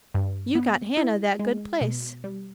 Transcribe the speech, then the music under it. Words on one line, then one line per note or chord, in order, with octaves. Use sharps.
You got Hannah that good place.
G2
B3
E4
G#3
B2
G3